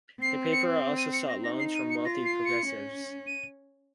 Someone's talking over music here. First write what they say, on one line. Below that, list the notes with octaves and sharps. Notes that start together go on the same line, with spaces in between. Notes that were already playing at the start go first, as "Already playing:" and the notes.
The paper also sought loans from wealthy progressives.
C4 C7
C#7
D#7
C#7
A#6
D#4 A#6
C7
D#7
C#7
F4 A#6
C7
C#7
C#4
D#7